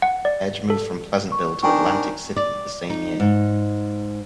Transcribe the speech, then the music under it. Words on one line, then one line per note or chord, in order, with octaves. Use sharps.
Edge moved from Pleasantville to Atlantic City the same year.
F#5
D5
A4
C#6
D#3 C4 D4 G5 G#5 C#6
D5
D#4
G#2